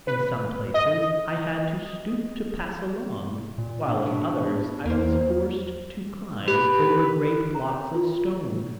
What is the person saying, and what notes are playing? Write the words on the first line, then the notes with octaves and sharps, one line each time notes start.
In some places I had to stoop to pass along, while in others I was forced to climb over great blocks of stone.
B4
D#5
A#2
D4
B2
E2 A#3 C5
G4 B4
A#5
C#5
F4